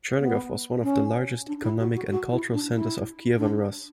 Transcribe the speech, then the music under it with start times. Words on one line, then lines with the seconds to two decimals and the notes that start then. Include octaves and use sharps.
Chernigov was one of the largest economic and cultural centers of Kievan Rus'.
0.19 B3
0.83 C#4
1.47 D4
1.63 E4
1.79 F#4
1.95 F#4
2.11 F#4
2.31 E4
2.53 D4
2.74 E4
3.38 D4